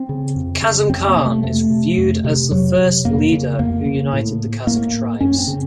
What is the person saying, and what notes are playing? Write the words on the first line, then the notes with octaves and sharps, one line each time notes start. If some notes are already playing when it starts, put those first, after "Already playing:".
Kasym Khan is viewed as the first leader who united the Kazakh tribes.
Already playing: C4
C#3
F2
C#3
F2 C4
A#3
C3
A3
F2 A3
C3
F2
C3
F2 F#3
C3
F2 A#3
C#3
F2 A#3
C#3
A2
A2 A#3
F#2 C#4
C4
C#3